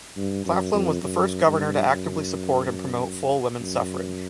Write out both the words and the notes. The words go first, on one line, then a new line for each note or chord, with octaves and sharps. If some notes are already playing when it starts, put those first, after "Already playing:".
Claflin was the first governor to actively support and promote full women's suffrage.
G2
F#2
F2
F#2
G2
F#2
F#2